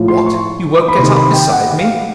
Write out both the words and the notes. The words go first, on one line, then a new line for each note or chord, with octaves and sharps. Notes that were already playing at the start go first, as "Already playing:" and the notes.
"What--you won't get up beside me?"
Already playing: A2 F3
C6
C#6
B5
C3 D#3 C6
B5
G5
F#5
F5